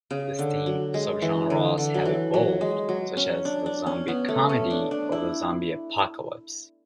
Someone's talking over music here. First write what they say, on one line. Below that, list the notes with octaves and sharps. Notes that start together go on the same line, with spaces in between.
Distinct subgenres have evolved, such as the "zombie comedy" or the "zombie apocalypse".
C#3
D3
F#3
G#3
E3
D3
D3
F#3
E3
F#3
G#3
F#3
C#4
D4
D4
C#4
B3
A3
C#4
D4
D4
E4